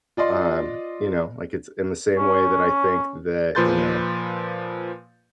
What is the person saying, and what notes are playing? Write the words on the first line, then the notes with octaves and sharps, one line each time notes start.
um, you know, like, it's in the same way that I think that, you know,
F4 D5 D#5 C6
C#4
A#2 F3 B4 C6 G6 A6